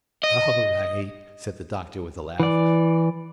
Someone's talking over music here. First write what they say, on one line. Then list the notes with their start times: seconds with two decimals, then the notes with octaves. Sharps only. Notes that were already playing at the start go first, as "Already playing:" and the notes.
"All right," said the Doctor with a laugh.
0.24 D#5
2.40 E3 D5